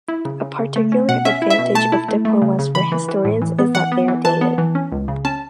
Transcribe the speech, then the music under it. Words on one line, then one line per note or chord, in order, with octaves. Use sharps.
A particular advantage of diplomas for historians is that they are dated.
E4
C#3
C#3
C#3
A3
C#4
B2 F#5
C#4 E5
E4
E5
B2
A3 A5
E4
A3
A3
C#3
C#3
E3 B5
E3
E3
A2
E3
B3
E3 F#5
B3
E3
E3 A5
B3
E3
C#4
C#2
C#3
C#4 A5